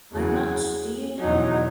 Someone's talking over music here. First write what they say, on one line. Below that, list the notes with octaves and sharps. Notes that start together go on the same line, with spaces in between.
How much do you know?
E2 C#3 F#3
E2 B2 F#3 D#4